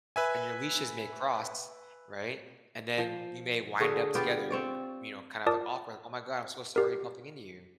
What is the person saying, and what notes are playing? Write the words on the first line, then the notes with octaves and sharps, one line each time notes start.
and your leashes may cross, right? And then you may wind up together, you know, kind of, like, awkward, "Oh my god. I'm so sorry bumping into you."
B4 E5 G#5
F3
D3 F#4 G#4 C#5
B3 F4 G4 D5
C4 C#5 D5
F4 A#4 D5 A5 D6 D#6
G4 A#4